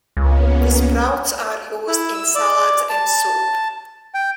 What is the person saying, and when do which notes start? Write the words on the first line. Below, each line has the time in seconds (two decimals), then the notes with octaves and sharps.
The sprouts are used in salads and soup.
0.17 C#2 A#3 B3 C#4
1.88 E4
2.14 E6
2.35 D5
2.89 A5
4.14 G5